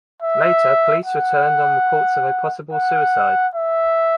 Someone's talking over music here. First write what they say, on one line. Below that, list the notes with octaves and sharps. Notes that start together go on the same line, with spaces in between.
Later, police returned on reports of a possible suicide.
E5
F#5
F#5
E5